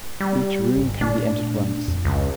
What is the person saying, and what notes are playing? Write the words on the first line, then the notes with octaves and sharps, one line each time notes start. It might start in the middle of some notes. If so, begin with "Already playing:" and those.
Each room can be entered once.
G3
G1
A#2 A3 D4
F2
C#2